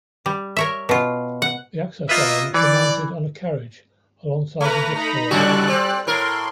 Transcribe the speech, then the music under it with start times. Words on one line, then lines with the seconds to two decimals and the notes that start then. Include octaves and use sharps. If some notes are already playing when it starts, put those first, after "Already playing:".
The access arms were mounted on a carriage alongside the disk array.
0.26 G3
0.57 A#4 C#5 E5
0.89 B2 F4
1.42 F#5
2.09 A#3 F4 B4 D#5 E5
2.54 E3 D5
4.61 A3 B4 A#5
4.94 D#4 A#5 B5
5.31 A2 C#3 G3 F#4 D5 F#6
5.69 C4
6.07 A2 A#4 C6